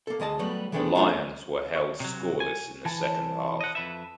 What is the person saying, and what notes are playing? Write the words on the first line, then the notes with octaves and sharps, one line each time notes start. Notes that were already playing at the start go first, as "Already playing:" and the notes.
The Lions were held scoreless in the second half.
A#3 A4
D2 G#3 D#5 A5
F#3 G3 A3 B3
E3 G#3 A3 B3 D4 G5
A3 D4 F4 G#4 C5
C#5
C3 F#3
G#5
E3 A5
D#5 F#5
F2 B4 E5